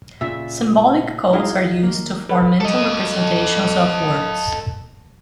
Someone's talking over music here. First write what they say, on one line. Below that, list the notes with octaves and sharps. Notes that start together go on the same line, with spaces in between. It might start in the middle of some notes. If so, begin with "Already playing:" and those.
Symbolic codes are used to form mental representations of words.
A#2 C#3 F4 E5
D#4 E4 F#4 G#4 F5
D#3 A#3
A4 B4 F5
A4 D#5